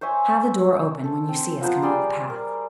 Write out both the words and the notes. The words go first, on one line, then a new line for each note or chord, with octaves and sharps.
"Have the door open when you see us coming up the path."
C5 C#5 E5 G#5
A4
C4
F3 B3 C5 A#5
G3 G#4 D5 C6
A#4